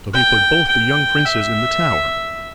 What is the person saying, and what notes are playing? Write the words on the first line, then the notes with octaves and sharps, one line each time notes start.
So he put both the young princes in the Tower.
G5
G5
E5